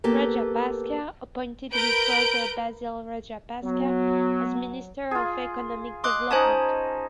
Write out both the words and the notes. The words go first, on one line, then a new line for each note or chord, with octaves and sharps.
Rajapaksa appointed his brother Basil Rajapaksa as minister of Economic Development.
A#3 B3 G4 A4
A#4 B4 G6 D7
F#3 B3
F4 G#4
D#5 C6 D6 F#6
C#4 D#4 C5 G#5 A5